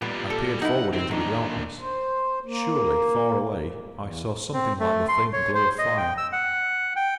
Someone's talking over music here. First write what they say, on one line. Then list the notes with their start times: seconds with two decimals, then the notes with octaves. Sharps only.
I peered forward into the darkness: surely, far away, I saw something like the faint glow of fire.
0.02 A#2 G3 B3
0.30 A4
0.62 D#4 E4 F#5
0.93 D#3 C4
1.11 D#3 A#3 D4
1.80 C5
2.46 A#3
3.95 E2
4.53 C4
4.80 A3
5.09 C6
5.33 C#5
5.55 C5
5.78 D#5
5.97 G5
6.18 E6
6.33 F#5
6.96 G5